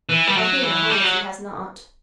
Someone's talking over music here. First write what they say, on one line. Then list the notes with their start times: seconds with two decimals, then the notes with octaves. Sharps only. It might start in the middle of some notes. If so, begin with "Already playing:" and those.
I'll be in a hole if she has not.
0.09 E3
0.27 G3
0.37 F#3
0.63 E3
0.90 G3
1.04 F#3